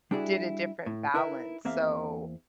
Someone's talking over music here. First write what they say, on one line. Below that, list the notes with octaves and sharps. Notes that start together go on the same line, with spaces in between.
did a different balance. So,
G3 D4 E4 F#4 G#4
A2
D#4 E4 A#4 B4 D#5 E5
E2 A#3 C4 E5 F5